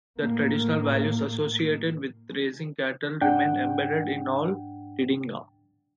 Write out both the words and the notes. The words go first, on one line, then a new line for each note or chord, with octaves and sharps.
The traditional values associated with raising cattle remain embedded in all Didinga.
A2 A#3
G#2 D4 F#5 G5